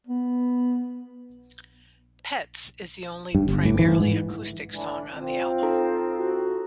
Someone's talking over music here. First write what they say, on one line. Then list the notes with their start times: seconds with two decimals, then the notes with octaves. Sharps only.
"Pets" is the only primarily acoustic song on the album.
0.07 B3
3.35 G2
3.47 G1
3.65 A2
3.79 E3
4.00 G#2
4.74 A2 E3 D4
5.14 C4 F4
5.63 D#4 A4 A#5
6.17 F#4